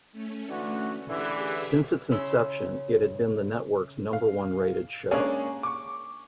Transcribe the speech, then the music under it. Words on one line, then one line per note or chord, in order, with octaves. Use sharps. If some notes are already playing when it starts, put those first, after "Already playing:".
Since its inception, it had been the network's number-one rated show.
A3 C#4
D3 E3 F#4
D3 E3 G4 G#4 E5
C#3 C#4 E4 C6 E6
F5
G#3 A#3 C#4 D4 G#4 C#5
C#6 D6